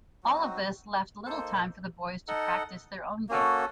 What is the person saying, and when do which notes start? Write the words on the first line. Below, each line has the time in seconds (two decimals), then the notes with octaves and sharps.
All of this left little time for the boys to practise their own game.
0.23 F#3 C4 D#4 F#4
1.25 A#3 D#4 A4 C5
2.28 D#4 A4 D#5 F#5
3.29 A#3 C#4 F#4 A4